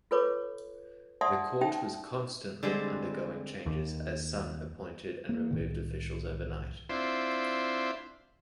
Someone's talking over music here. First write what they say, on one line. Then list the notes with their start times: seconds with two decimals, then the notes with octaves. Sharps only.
The court was constantly undergoing changes as Sun appointed and removed officials overnight.
0.11 F4 A4 B4 C#5 D6
1.21 D5 E5 F#5 A5 C6 D#6
1.61 C#4 D#4 E5 G5 A5
2.63 D3 G3 G#3 C4
3.66 D#2
5.29 A#3
5.51 C2 A2 D#3
6.89 C4 D4 E4 F4 C5